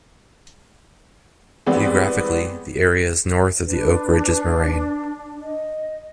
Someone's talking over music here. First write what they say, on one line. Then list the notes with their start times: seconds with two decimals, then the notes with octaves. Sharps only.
Geographically, the area is north of the Oak Ridges Moraine.
1.66 E3 G3 G#3 B3 C4 D5
3.66 D4 B4
5.41 D#5